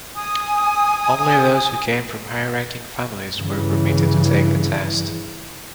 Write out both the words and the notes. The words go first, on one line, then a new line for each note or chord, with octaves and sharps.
Only those who came from high-ranking families were permitted to take the test.
G#5 D#6
G2 C#3 E3